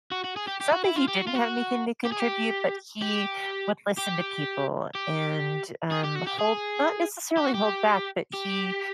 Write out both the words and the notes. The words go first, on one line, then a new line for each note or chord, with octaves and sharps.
It's not that he didn't have anything to contribute, but he would listen to people, and, um, hold not necessarily hold back, but he
F#4
F#4
G#4
G4
G4
F#4
E4
F4
G4
F#4
F4
F#4
G4
G#4
G4
G4
G4
G4
G#4
G4
F#4
G4
G#4
G4
F#4
G4
G4